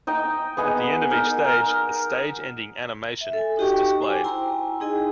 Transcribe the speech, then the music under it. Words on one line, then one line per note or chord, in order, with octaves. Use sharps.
At the end of each stage, a "stage-ending animation" is displayed.
D#4 D#5 G5
B3 G#4 D#5 F#5
D#4 A#4
A#4
E5
A4 G#5
D#4 F#4 G4 D#5 G5 C#6
C5 G#5 D6
E4 G5 G#5 A#5 C6 E6
D#4 G#4 D#5 G#5